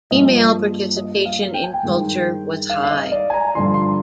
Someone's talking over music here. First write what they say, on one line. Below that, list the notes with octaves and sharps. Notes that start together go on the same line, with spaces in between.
Female participation in culture was high.
G2 F3 A#3 D#5
D#5
F5
G5
G#5
G5
G2 D#3 G#3
F5
F5
D#5
D5
G#5
A#5
G2 D3 F3 C6
C6